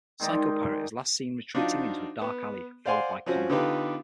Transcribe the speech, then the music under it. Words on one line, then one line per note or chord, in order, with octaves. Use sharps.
Psycho-Pirate is last seen retreating into a dark alley, followed by Conner.
D#3 G#3 D#4 D5
F3 D4 D#4 F4 F#4
B3
C5 D5 F5 F#5 G#5 C6
F3 C4 C#4 F#4 C5
D3 B3 D#4 F4 G4 B4